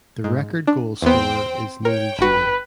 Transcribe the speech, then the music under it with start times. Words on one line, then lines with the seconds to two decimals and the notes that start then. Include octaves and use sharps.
The record goalscorer is Neil Dewar.
0.24 G#2
0.67 D4
1.02 E2 B3 C4 C5 G5
1.85 A#4 C#5 G5
2.19 G1 F#4 B4